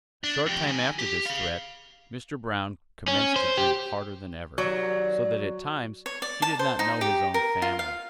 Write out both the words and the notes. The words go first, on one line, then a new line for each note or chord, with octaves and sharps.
A short time after this threat Mr. Brown commenced to drink harder than ever, so that at times he did not know his own family.
D4
F2 G4
D#3 G#5
G4
G#4 F5
C#4
C5
G4
D#2 F#3 D5
C#5
D5
A5
C5
D#4
G4
A#4
F4
F5